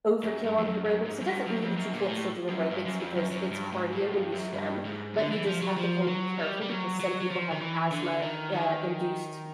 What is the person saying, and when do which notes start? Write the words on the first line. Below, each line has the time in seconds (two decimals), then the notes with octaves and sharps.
overkill on the aerobics, it doesn't mean that you can't still do aerobics because it's cardio when you swim, but you just have to kinda be careful because some people have asthma, uh, induced
0.24 F#2
0.44 G2
0.58 F2
0.65 F#2
0.85 F#2
1.06 G#2
1.21 F#2
1.26 G2
1.47 F#2
1.62 F2
1.77 F#2
1.93 A#2
2.09 A2
2.49 F#2
2.70 G2
2.85 F#2
3.00 F2
3.16 F#2
3.31 F#2
3.51 G2
3.72 G#2
3.93 A2
4.13 G2
4.33 F#2
4.54 G2
4.85 G#2
5.16 D3
5.31 E3
5.46 F3
5.62 F#3
5.77 F3
6.08 F#3
6.38 G3
6.61 G3
6.69 F#3
7.00 F#3
7.21 F#3
7.31 F3
7.52 D#3
7.61 E3
7.92 D3
8.23 D#3
8.54 D#3